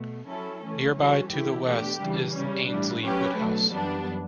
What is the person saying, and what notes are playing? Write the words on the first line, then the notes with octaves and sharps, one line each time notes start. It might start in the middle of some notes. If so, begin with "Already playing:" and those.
Nearby to the west is Annesley Woodhouse.
Already playing: B2 A3
F#3 C#4 E4 A4
E3 A3 C#4
E3 G3 C#4 F#4 A4
C#3 E3 A3 E4 G4
B2 A3 D4 G4
C#3 E3 G3 D4
C#3 G3 C#4
A2 E3 G3 D4
F#3 C#4 G4 B4
B2 F#3 A3 D4
F#2 E3 G3 B3 D4